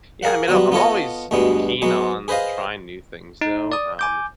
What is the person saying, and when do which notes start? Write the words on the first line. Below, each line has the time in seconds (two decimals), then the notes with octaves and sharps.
yeah, I mean, I'm always keen on trying new things though, um,
0.23 G#4 A#4 F5 F#5
0.48 F#3 G3 B3 F#4
0.72 B3 F4 A4 C#5 D#5
1.31 D2 G2 B2 G#3 B3
1.82 F#3 G#3 B3
2.28 G#4 B4 C5 D#5 F5
3.41 D#4
3.72 D5 D#6
3.99 G#5 D6 G6